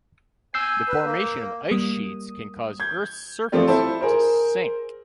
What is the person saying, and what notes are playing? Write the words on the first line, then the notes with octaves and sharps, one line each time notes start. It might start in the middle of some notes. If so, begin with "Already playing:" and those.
The formation of ice sheets can cause Earth's surface to sink.
G#5 E6 G6 C7
B4
A#3
G3 A#3 D#6
G6 G#6
F3 A3 C4 F4 G4 D5
E4 A4 C5 A5
G#4 A#4 C5